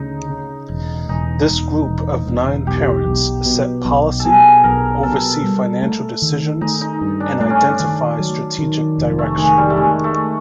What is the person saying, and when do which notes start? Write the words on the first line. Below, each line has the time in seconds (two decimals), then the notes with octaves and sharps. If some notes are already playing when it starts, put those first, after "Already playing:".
This group of nine parents set policy, oversee financial decisions and identify strategic direction.
Already playing: D2 C#3 D#4
0.30 C#3
0.70 E1
1.09 E1 D#4
1.49 E1
1.88 E1
2.27 E1
2.67 B1 G4
3.06 B1
3.46 B2
3.85 B1
4.20 A4
4.25 B2 G#4
4.64 B1 A#4
5.03 B2 A4
5.43 G3
5.82 A3
6.22 D#3
6.61 A3 D#4
6.81 D#4
7.01 G2
7.20 D4
7.41 A3 D4
7.50 C#4
7.61 D4
7.80 D#3
8.19 F#3
8.59 D#3
8.98 F1
9.19 A3
9.38 D#3 G#3
9.58 G3
9.70 A3
9.77 D#3 G#3
10.04 A3